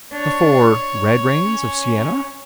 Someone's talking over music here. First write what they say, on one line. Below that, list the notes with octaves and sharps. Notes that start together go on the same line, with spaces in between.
The four red rains of Siena.
D4 C#5
C#4